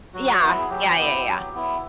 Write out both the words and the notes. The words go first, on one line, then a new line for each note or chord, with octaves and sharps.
Yeah. Yeah, yeah, yeah.
F#3 F#4
B3 E4
G#4
F#3 G4
B3 E4
F#3
B3 E4